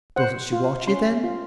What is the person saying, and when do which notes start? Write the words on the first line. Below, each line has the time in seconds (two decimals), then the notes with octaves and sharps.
"Doesn't she watch you, then?"
0.16 C5 F#5
0.52 F4
0.88 C#4 C6
1.24 F4